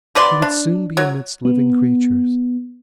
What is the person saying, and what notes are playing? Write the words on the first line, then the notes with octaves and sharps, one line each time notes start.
He would soon be amidst living creatures.
B2 B4 D5 C6
D4
F#3
B3